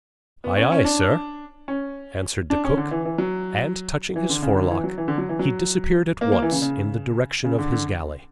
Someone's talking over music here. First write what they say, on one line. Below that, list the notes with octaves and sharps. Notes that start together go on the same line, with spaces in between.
"Aye, aye, sir," answered the cook, and touching his forelock, he disappeared at once in the direction of his galley.
B3
C#4
C#4
D4
C#4
D4
C#4
D3
E3
E3
F#3
E3
D3
C#3
D3
E3
F#3
E3
D3
F#3
E3
F#3
A#3
A#3
E3
C#3
C#3
C#3
D3
D3